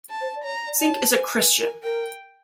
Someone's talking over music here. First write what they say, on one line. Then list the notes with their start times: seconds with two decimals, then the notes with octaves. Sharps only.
Cink is a Christian.
0.10 A5
0.21 C5
0.36 D5
0.44 C#5 A#5
0.67 D5
0.79 D5 A5
0.91 C#5
1.13 C5 G#5
1.36 B4
1.60 A#4
1.83 A#4 G5